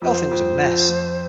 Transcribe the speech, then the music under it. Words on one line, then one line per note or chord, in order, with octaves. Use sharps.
The whole thing was a mess.
F2 C5
F2
F3
F2